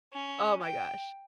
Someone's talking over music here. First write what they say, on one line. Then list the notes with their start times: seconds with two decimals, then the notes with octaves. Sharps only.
Oh my gosh.
0.12 C#4
0.62 G5